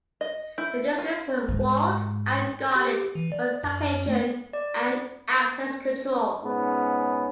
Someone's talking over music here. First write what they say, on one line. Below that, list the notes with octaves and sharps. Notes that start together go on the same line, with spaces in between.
The districts were walled and guarded for taxation and access control.
D#5
E4 G6
F4
G#2
G4
E3
D5
F#2
A3
D5
G#2 B3 C#4